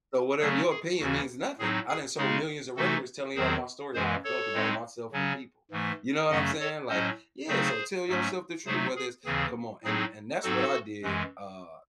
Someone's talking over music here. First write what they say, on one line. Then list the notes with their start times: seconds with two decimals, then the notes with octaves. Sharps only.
So whatever your opinion means nothing, I done sold millions of records telling you all my story, how I felt about myself and people." You know what I'm saying? Like, yeah, so tell yourself the truth, whether it's come on, and and that's what I did, uh,
0.40 C#3 F#3 A3 C#4 G#4
0.70 G#4
0.99 D#2 C#3 E3 F#4
1.59 A2 F#3 C4 D#4 G#4
1.89 G#4
2.17 C#3 G#3 D#4 G#4
2.76 C3 E3 A3 D#4 F#4 A4
3.35 E2 D#3 F#3 C4 G#4 C5
3.94 F#2 E3 G#3 G#4 C5
4.24 A4 C#5
4.54 A2 G#3 C4 D#4
5.12 C#3 F#3 C#4
5.71 G#2 E3 A3
6.30 F#2 C#3 F#3 A3 C#4 D#5 F#5
6.60 A4 C#5
6.89 A2 F#3 C#4 C5 D#5
7.48 C#3 F#3 A3 C4 D#4 G#4 C5
8.08 G#2 F#3 A3 C#4
8.66 C3 F#3 A3 D#4 G#4 C5
8.96 G#4
9.25 D#2 C#3 E3 C4 G#4
9.84 A2 F#3 C4 D#4 G#4
10.43 G#2 F#3 C4 D#4 F#4 A4
11.02 F#2 E3 G#3